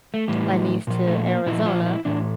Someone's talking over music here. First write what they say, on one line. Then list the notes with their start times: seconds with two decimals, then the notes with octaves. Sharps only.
my niece to Arizona,
0.14 A3
0.28 A2 E3 G3
0.87 A#2 F3
1.06 A3
1.26 A#3
1.46 A#2 F3 E4
1.66 F4
1.86 E4
2.05 A2 E3 D4